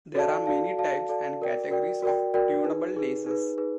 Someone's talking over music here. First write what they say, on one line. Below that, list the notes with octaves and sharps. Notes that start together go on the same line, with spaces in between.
There are many types and categories of tunable lasers.
F#4 A4 D5 F5 A5
F#4 A4 D5 F5 A5
F#4 A4 D5 F5 A5
F#4 A4 D5 F5 A5
F#4 A#4 D5 G5
F#4 A#4 D5 G5
F#4 A#4 D5 G5
F#4 A#4 D5 G5
D#4 G#4 B4
D#4 G#4 B4
D#4 G#4 B4
D#4 G#4 B4